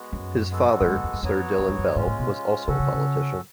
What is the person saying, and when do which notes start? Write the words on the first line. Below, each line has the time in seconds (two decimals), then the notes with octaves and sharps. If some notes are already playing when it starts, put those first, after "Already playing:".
His father, Sir Dillon Bell, was also a politician.
Already playing: G#3 B3 F#4
0.12 F#2
0.50 G#3 B3 F#4 A4
0.81 F#2
0.86 G#2
0.95 F#2
1.04 F2
1.13 F#2
1.23 F2 F#3 B3 F#4 C#5
1.59 F#2
1.68 F2
1.78 F#2
1.96 G#2 G#3 C#4 F4
2.07 A2
2.19 B2
2.68 C#3 C#4 F#4 A4
2.80 C#3
2.93 C#3